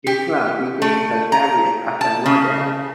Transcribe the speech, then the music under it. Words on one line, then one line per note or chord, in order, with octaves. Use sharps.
Mitra began her career as a model.
G4
A3
A#5
A5
C#3